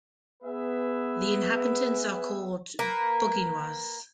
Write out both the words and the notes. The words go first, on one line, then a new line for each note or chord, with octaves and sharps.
The inhabitants are called "Boginois".
B3 G#4 B4 E5
A#3 A#4 B4